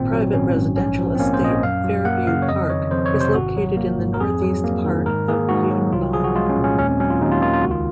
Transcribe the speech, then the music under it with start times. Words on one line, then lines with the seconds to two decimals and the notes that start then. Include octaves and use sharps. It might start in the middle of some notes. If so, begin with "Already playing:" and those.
Private residential estate Fairview Park is located in the northeast part of Yuen Long.
Already playing: G#1 A#2 C4
0.12 F#3
0.34 G#1 C#4
0.55 G#2
0.76 A#1 C#4
0.99 F3
1.15 C4
1.20 A#3 C#4
1.34 C5
1.41 A#2 D#5
1.49 C#5
1.62 F#2 F5
1.84 F#3
2.05 A#3 F#5
2.27 C#3 F5
2.42 C#5
2.48 F2 D#5
2.70 D#3 C#5
2.91 F2 C5
3.06 C#5
3.13 C3
3.21 C5
3.34 G#1 F#4
3.56 F#3
3.77 A#3
3.99 G#2
4.14 A#4
4.20 F2 G#4
4.42 F#3
4.64 A#3
4.85 D#3
5.06 G#2 A#4
5.28 A#3 G#4
5.49 G#2 F#4
5.70 F#3
5.92 C2 F4
6.13 F3 G#4
6.24 F#4
6.35 G#3 F4
6.49 C#4
6.57 A#2
6.64 C#4
6.78 D#2 C#4
6.89 C4
7.00 F#3 C#4
7.10 F4
7.21 D#2 D#4
7.32 F4
7.42 D#3 F4
7.53 F4
7.62 C#2 F#4
7.71 F4